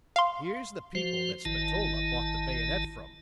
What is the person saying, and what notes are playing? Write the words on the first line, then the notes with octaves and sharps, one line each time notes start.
Here's the people that Spatola bought the bayonet from.
F5 C6
F3 F#4 C5
G#1 D#3 E4 A5